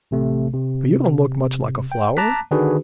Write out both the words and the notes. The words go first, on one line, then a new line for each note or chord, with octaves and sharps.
"But you don't look much like a flower."
A1 C3 A3
C3
G5
A5 A#5 D6 F#6 B6
D3 D#3 D4 F#4 G#4 B4